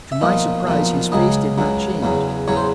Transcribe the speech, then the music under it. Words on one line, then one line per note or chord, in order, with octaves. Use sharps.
To my surprise his face did not change.
E5
B1 A#2 F3 D#5
B1 A#2 F3
C#2 C#3 F#3 D#5
C#2 C#3 F#3
E2 C#3 F#3
E2 C#3 F#3 C#5
C5